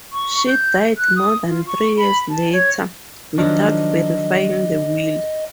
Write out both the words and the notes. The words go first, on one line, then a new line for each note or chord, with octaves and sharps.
She died more than three years later without verifying the will.
C#6
G6
F#6
D#6
F4
C#6
B5
A5
C#5
D#3 F3 F#3 D4 D#5